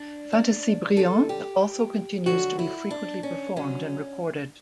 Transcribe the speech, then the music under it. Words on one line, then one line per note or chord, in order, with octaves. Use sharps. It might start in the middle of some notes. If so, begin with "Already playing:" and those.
"Fantasie Brilliante" also continues to be frequently performed and recorded.
Already playing: D4
D4
F#2 D3 G3 A4
G4
D2 D3 F#3 F#4
E4
D4
C#4
D3 F#3 C#4